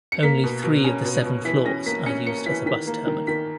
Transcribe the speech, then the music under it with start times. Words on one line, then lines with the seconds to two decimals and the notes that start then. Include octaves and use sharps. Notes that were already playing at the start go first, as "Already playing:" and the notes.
Only three of the seven floors are used as a bus terminal.
0.12 C#7
0.23 A#3 B6
0.44 B2
0.64 B2
0.84 C#4
1.05 B2
1.25 B2
1.45 E3 B6
1.65 C#4 A#6
1.86 A#3 B6
2.06 C#4 C#7
2.27 A#3 C#7
2.46 E3 B6
2.66 D#3 B6
2.87 A#3
3.07 D#3
3.27 D#3 B6